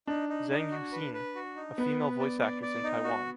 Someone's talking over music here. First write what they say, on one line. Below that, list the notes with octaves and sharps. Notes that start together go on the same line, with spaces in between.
Zheng Yuxin, female voice actress in Taiwan.
D4 D#4
D#4
D#4
F#4
B4
B4
F#4
D#4
B3 B4
B4
D5
D5
D5
D#4
F#4